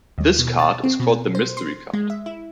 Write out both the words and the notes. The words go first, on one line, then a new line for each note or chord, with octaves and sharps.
This card is called the mystery card.
D#2
B2
A6
C4
B2
C5
C6
G#3
E5
E4